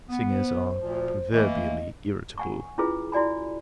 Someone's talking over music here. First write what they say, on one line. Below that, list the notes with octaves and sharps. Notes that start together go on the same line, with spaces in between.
Singers are proverbially irritable!
B3
C5
D2 A#2 F3
E3 A3 A#3 D#5
F#5 G#5 C#6
C#4 E4 F4 G#4 B4
E4 F#4 D5 G#5 B5